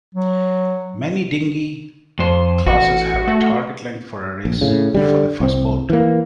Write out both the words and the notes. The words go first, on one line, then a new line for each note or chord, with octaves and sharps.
Many dinghy classes have a target length for a race for the first boat.
F#3
F2 C5
A1 F#4
A3
A#1
A2 C#3
D3 G3
C2 C4
E3 A#3